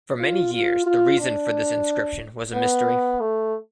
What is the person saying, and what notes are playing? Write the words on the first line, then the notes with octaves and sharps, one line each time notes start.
For many years the reason for this inscription was a mystery.
F4
F4
F4
D4
B3
A3